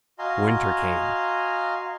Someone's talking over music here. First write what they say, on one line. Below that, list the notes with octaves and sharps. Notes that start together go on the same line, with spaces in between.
Winter came!
F#4 D#5 F5 G#5 A#5 C6